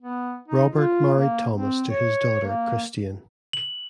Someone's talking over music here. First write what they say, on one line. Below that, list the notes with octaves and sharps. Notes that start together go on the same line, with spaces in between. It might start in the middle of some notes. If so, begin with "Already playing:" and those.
Robert married Thomas to his daughter Christian.
B3
D#4
F4
A#3
C4
C#5
A#3
F#7